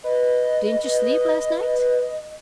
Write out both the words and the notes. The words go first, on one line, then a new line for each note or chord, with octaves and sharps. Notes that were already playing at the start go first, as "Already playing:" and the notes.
"Didn't you sleep last night?"
B4 D#5